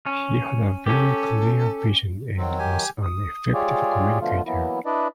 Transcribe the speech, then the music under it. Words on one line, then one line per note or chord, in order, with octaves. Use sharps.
He had a very clear vision and was an effective communicator.
C#4
C#4 G4 A4
D#3 F#3 C4
G4 G#5
D#6
G#3 F4 G4 G#4 C#5 D5
B2 D3 F3 A3 F4
E3 F#3 A#3 B3 E4
D4 E4 B4 D5 D#5